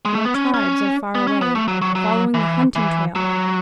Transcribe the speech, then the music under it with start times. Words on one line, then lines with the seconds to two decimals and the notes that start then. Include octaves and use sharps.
Your tribes are far away - following the hunting trail.
0.05 G#3
0.15 A3
0.25 B3
0.35 C#4
0.54 C#4
1.15 B3
1.27 C#4
1.42 B3
1.55 A3
1.68 F#3
1.82 F#3
1.95 F#3
2.34 E3
2.76 E3
3.16 F#3